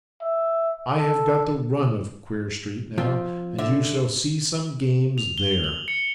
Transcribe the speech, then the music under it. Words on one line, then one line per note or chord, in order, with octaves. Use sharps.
I have got the run of Queer Street now, and you shall see some games there.
E5
A4
F3 C4 F4
D3 E5
F7
G7
F#7
C#7